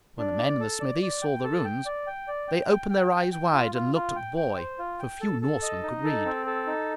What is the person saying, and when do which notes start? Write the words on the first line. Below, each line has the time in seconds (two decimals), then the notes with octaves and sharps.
When the men in the smithy saw the runes they opened their eyes wide and looked at the boy, for few Norsemen could read.
0.18 D4
0.39 D5
0.60 A4
0.80 D5
1.02 D5
1.22 G5
1.44 A4
1.65 G5
1.86 D5
2.07 G5
2.28 D5
2.48 G5
2.69 G5
2.90 G5
3.11 G5
3.32 G5
3.53 F4
3.74 F4
3.95 F4
4.16 G5
4.37 G5
4.58 C5
4.79 F4
4.99 G5
5.21 A4
5.42 A4
5.62 D#5
5.83 D#4
6.04 A4
6.25 C4
6.46 A4
6.67 D#4